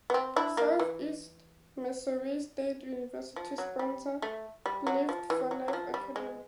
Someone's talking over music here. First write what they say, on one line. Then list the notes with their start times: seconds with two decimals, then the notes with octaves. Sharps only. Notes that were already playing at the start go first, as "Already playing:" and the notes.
Southeast Missouri State University sponsor Lift For Life Academy.
0.10 B3
0.14 C4
0.36 D4 E4
0.57 A#3
0.80 E3
3.36 F3
3.58 F#3
3.79 G3
4.22 A3
4.66 G3
4.87 F#3
5.09 F3
5.30 E3
5.51 F#3
5.68 F#3
5.73 F3
5.94 G3
6.16 G#3